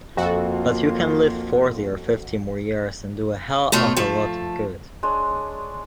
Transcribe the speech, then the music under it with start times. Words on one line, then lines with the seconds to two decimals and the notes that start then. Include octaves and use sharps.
But you can live forty or fifty more years and do a hell of a lot of good.
0.17 F2 A#3 F4 F#4 A4
3.72 B2 A3 F4 C#5
3.97 F3 A3 A4
5.03 G#3 D4 C#5